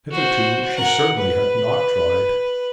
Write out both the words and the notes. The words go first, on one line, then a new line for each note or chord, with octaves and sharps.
Hitherto she certainly had not tried.
F#4 C5
A#4 F#5
B4